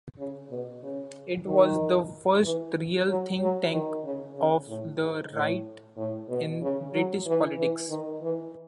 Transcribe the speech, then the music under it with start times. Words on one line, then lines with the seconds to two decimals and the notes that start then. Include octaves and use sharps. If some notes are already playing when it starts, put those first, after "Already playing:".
It was the first real think-tank of the right in British politics.
0.18 C#3
0.50 B2
0.83 C#3
1.47 D#3
2.44 E3
3.08 F#3
3.40 F#3
3.72 D#3
4.04 C#3
4.36 C#3
4.68 A2
5.00 G#2
5.32 A2
5.97 A2
6.29 B2
6.61 C#3
6.93 F#3
7.26 E3
7.57 E3
7.89 D#3
8.21 E3